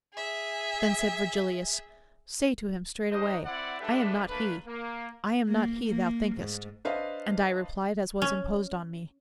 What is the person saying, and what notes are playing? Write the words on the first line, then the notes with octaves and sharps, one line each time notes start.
Then said Virgilius: "Say to him straightway, 'I am not he, I am not he thou thinkest.'" And I replied as was imposed on me.
G#4 E5
D4 D#4 C5 D#5
C4 E4 D5 F#5
G#3 D4 G4 A4 B4 E5
A3 A#3 D4 B4
A#3
A#3
A#3
G#2
D4 B4 C5 D#5 F5
C#4